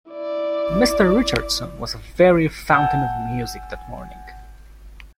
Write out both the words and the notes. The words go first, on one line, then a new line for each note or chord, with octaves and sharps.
Mr. Richardson was a very fountain of music that morning.
E4 D5
F#5 G#5 A5 E6 G6